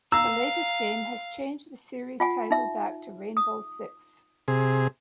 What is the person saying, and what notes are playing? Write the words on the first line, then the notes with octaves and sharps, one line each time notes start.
The latest game has changed the series title back to "Rainbow Six".
F5 A#5 E6
F4 F#5 G#5
D#4 E5
D#6
C3 G#4